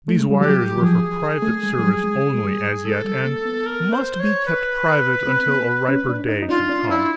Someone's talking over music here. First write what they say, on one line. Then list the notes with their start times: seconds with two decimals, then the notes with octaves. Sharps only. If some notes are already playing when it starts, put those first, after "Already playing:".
These wires were for private service only, as yet, and must be kept private until a riper day should come.
0.08 A3
0.20 G#3
0.31 G3
0.41 F#3 G4
0.77 F#3
0.82 F3 G#4
1.43 A3
1.63 G#3
1.78 F#3
1.83 G3
2.04 G#3
2.35 G#3
2.44 G3
2.84 G#3 A4
3.05 G3
3.25 A#3
3.45 B3
3.66 A#4
3.93 C5
4.20 C#5
4.46 B4
5.27 C4
5.47 B3
5.88 C#4
6.09 D4
6.29 D#4
6.42 D#4
6.49 D4 F4
6.69 D4
6.89 D4 E4